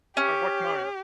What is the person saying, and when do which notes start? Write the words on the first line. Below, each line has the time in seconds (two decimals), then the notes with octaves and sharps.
Like, what kind?
0.17 C#4 G4